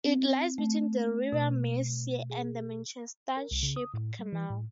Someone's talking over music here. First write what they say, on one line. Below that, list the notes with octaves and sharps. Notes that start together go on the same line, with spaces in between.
It lies between the River Mersey and the Manchester Ship Canal.
C4
A3
B2
G#4
A#4
C2
C#3
D#6
A2
G3
E3
A2